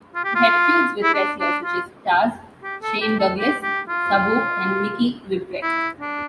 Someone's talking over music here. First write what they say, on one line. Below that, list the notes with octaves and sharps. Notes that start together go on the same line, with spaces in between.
He had feuds with wrestlers such as Taz, Shane Douglas, Sabu, and Mikey Whipwreck.
F4
G4
F4
E4
D4
D4
F4
G4
A4
G4
A4
G4
G4
F4
E4
D4